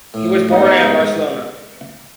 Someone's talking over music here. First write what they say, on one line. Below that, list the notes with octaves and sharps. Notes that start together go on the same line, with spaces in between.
He was born at Barcelona.
A2
G#2 G3 B3 D#4
G2
G#2
G#2